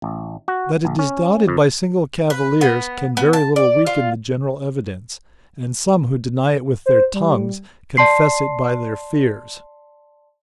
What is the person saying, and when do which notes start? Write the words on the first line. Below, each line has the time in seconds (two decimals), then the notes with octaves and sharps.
That it is doubted by single cavillers, can very little weaken the general evidence; and some who deny it with their tongues, confess it by their fears.'
0.02 A1
0.48 F#4
0.85 A#1
0.99 C#4
1.47 F2
2.30 B4
2.61 B3
3.17 B3
3.33 A5
3.56 D5
3.87 F4
6.86 C5
7.14 G3
7.97 D5 A5 C6 C7